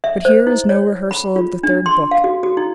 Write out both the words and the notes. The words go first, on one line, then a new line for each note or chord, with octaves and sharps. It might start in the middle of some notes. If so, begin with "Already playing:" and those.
But here is no rehersal of the third book.
E5
C5
E4
C#5
B5
F4
D4
C6
F5
F#4
F#4
E4